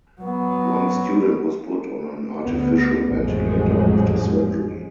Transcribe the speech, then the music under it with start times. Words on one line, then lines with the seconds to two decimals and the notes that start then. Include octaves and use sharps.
One student was put on an artificial ventilator after surgery.
0.21 F#3 B3
2.45 D2 B3
3.08 A1 F2 F3 F#3 G#3